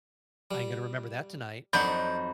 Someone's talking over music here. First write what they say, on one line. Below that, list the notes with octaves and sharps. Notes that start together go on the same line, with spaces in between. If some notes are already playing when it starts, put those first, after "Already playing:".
I ain't gonna remember that tonight."
G3
F2 F#3 D#4 D5 F#5 B5 G6